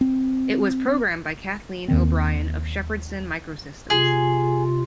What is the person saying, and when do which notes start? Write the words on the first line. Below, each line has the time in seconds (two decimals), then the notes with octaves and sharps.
It was programmed by Kathleen O'Brien of Shepardson Microsystems.
0.01 C4
1.88 D#2 D#3 C4
3.90 C3 F4 G#4